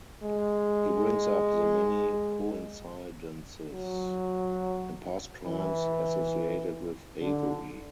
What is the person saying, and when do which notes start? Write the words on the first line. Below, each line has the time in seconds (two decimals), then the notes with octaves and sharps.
He brings up the many coincidences and past crimes associated with Avery.
0.23 G#3
3.73 F#3
5.47 E3
7.21 D3